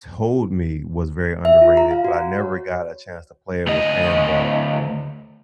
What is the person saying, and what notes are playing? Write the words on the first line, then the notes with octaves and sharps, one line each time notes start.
told me was very underrated, but I never got a chance to play it, was handball,
E5
F4
A#5
F5
F#4
C#5
D2 D#5